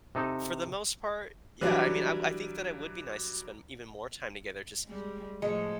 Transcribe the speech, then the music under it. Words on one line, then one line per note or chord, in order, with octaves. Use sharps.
for the most part, yeah, I mean, I w I think that it would be nice to spend even more time together just
C3 D#4 A4
E3 F#3 G3 D4
G3 G#3
A2 F3 G#3 A4 C#5